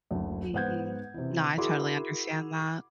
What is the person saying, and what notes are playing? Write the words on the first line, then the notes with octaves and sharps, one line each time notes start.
Mhm. No, I totally understand that.
F#1 D2
G#2 B3 C5 F#5 G6 G#6
C3 E3
E4 F#4 G#4 A#4 C6 D6